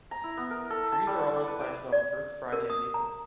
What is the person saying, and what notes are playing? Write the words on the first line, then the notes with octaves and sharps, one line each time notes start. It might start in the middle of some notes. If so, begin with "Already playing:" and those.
Trees are always planted on the first Friday in April.
A#5
E4
B3
A#4
A4
A5
G3
F#5
D5
B4
G5
D5
A#4
D#6
A#5